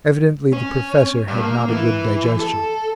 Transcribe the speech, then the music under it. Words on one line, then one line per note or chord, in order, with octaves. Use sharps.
Evidently the professor had not a good digestion.
C#4
G2
A#3
E3
A4